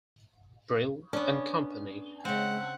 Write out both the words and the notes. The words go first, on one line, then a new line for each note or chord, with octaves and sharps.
Brill and Company.
B3 C#4 D4
C#3 G#3 C4 F#5